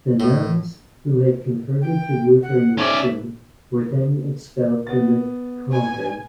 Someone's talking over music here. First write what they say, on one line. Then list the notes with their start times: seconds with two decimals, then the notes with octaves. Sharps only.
The nuns, who had converted to Lutheranism, were then expelled from the convent.
0.20 A2
1.82 G5
2.43 F#5
2.78 C#4 D5 E5
4.87 B3 A6
5.72 G#5